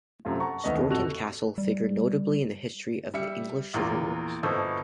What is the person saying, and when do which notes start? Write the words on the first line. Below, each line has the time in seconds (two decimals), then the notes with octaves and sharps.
Stourton Castle figured notably in the history of the English Civil Wars.
0.25 F#2 C3 A3 C4 F4
0.40 F#5 A5 A#5 C#6
0.64 D2 D#3 B3 B4 D#5
0.76 F2
0.89 A#1 F2 F#4 A4 F7
1.58 G3
3.14 G3 E5 C#7
3.73 A#1 E2 A#3 F4
4.43 G1 B2 A4 C5